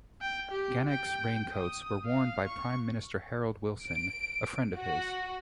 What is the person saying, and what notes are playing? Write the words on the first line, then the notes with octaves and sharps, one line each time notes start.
Gannex raincoats were worn by Prime Minister Harold Wilson, a friend of his.
G5
G4
G5
D#6
F5
C#6
D7
F#4